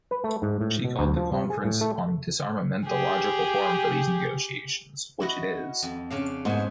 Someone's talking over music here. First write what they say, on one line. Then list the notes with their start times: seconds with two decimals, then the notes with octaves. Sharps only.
She called the Conference on Disarmament "the logical forum for these negotiations," which it is.
0.11 B4
0.24 A3
0.42 G#2
0.61 A2
0.84 B2
0.99 D2
1.16 F3
1.33 C3
1.50 G#4
1.65 A2
1.81 A3
2.86 G4 G#4
5.20 E4 F#4 D#5
5.82 F2
6.10 C#3 D4 F5
6.45 G#2 B3 C5 G#5